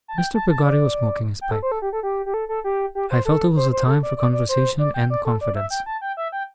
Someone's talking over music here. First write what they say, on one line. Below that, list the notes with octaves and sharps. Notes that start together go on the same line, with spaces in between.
Mr. Peggotty was smoking his pipe. I felt it was a time for conversation and confidence.
A5
G5
A5
A5
D5
G5
A4
C5
A4
G4
A4
G4
G4
A4
A4
G4
G4
C5
A4
C5
C5
A4
D5
D5
D5
C5
D5
G5
D5
A4
D5
E5
G5
A5
G5
E5
G5